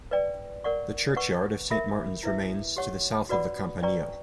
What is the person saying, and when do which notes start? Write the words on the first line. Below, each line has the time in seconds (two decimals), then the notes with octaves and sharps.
The churchyard of Saint Martin's remains to the south of the campanile.
0.11 B4 D5 G5
0.64 A#4 D5 F#5 C#6
1.17 B4 F#5 C#6
1.70 A#4 E5 B5
2.23 E4 B4 E5
2.77 G4 C#5 F#5 C#6
3.29 F#4 B4 D5 F#5 B5
3.83 B4 D5 G5 A#5 C#6